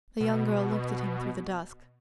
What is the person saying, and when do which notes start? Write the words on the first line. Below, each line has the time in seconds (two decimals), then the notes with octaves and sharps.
The young girl looked at him through the dusk.
0.21 B2